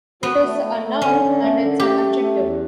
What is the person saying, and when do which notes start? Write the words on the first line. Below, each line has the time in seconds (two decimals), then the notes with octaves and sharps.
It's a noun and it's an adjective.
0.23 B3 F#4
0.43 A3
0.62 A3
0.82 A3
1.02 D3 C#4
1.21 D3
1.40 A3
1.60 D3
1.80 A3 G4
2.00 A3
2.19 A3
2.38 E2